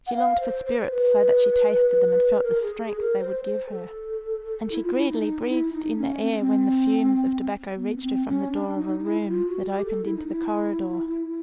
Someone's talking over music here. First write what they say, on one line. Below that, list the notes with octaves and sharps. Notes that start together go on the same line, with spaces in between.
She longed for spirits so that she tasted them and felt the strength they would give her; and she greedily breathed in the air when the fumes of tobacco reached her from the door of a room that opened into the corridor.
F#5
F5
C5
C5
C5
B4
A#4
G#4
G#4
A#4
C5
C5
A4
E4
F4
E4
D#4
E4
D#4
C#4
C4
C#4
C4
B3
C#4
C4
C#4
D4
D#4
D#4
E4
E4
F4
F#4
G4
A4
E4
D#4
E4